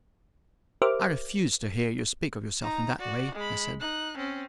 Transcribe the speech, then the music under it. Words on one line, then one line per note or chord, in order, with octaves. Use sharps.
"I refuse to hear you speak of yourself in that way," I said.
G4 A#4 C5 E5 D6 F6
D#4 A#5
F#4 D5
G#3 B5
D#4 F#6
C4 C#4